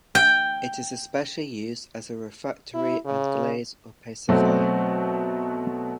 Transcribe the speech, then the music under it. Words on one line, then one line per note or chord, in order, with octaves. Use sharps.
It is especially used as a refractory and glaze opacifier.
G5
E4
C#3
B2 F#3 A3 C4 F#4